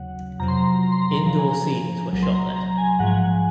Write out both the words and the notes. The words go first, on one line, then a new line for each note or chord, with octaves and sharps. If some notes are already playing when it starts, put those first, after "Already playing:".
Indoor scenes were shot there.
Already playing: D#2 C#3 F#3 F#5
F2 C3 F#3 A#5
C6
A#5
A#5
C6
A#5
F#2 C#3 F3 A#5
G#5
A#5
C2 A#2 F#3
C6
A#5
A#5
G#5
A#1 G#2 F3 F#5
G#5
F#5